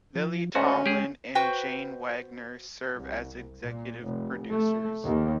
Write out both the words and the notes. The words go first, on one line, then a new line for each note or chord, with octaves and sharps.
Lily Tomlin and Jane Wagner serve as executive producers.
F3
D2 G#2 C#4 F#4 C5 A5 C#6
G#3 G4 G#4
F#4 B4 C5 G5
C2
A#2
F1
A3
D#2